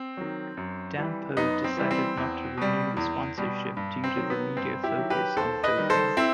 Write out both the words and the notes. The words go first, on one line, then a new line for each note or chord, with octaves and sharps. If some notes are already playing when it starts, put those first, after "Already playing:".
Danpo decided not to renew the sponsorship due to the media focus on doping.
Already playing: C4
D#3 F#3
F#2
E3 G3
F#2 B3 D#4
C4
E3 G3
C4
E2
B2 G3
E2
B2 G3
G2
C4
D#3 F#3
B3
G2 C4
E4 G4
D#3 F#3
G4 B4
D#2 A4 C5
B4 D#5
D#3 G3
A4 C5
C4 E4